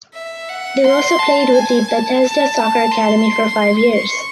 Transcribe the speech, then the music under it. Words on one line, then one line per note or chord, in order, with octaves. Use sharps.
Di Rosa played with the Bethesda Soccer academy for five years.
E5
F#5
C6
A5
G#5
A5
A5
C6
C#6